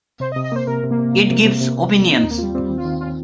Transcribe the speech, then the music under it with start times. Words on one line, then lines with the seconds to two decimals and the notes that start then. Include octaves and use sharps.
It gives opinions.
0.20 C3 C5
0.32 D#5
0.36 C3
0.44 D#5
0.52 A#3 C5
0.67 C3 A#4
0.83 C3
0.91 A#3
0.99 C3
1.14 C3
1.30 C3
1.45 C3
1.61 C3
1.77 C3
1.92 A#3
2.07 C4 D#4
2.19 D#4
2.23 D#2
2.31 A#3
2.39 G3 F4
2.54 G3 C4
2.70 D#3
2.78 F4
2.85 D#3
3.01 F4